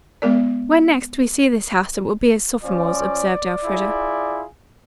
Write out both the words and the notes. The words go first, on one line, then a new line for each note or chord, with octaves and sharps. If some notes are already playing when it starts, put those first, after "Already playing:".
"When next we see this house it will be as sophomores," observed Elfreda.
G#3 B3 A#4 D5
F3 C#4 D5
E4 F4 G#4